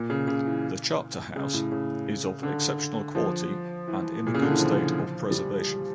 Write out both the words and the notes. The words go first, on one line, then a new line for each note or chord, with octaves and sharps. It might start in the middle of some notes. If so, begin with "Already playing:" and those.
The chapter house is of exceptional quality and in a good state of preservation.
Already playing: A#2
C#3
C#3
E3
C#3
A2
C#3
D3
F3
E3
A#2
C#3
D3
E3
F3
G3